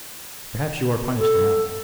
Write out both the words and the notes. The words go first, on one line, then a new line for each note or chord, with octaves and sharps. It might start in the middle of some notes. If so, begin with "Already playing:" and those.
Perhaps you are punished enough.
A4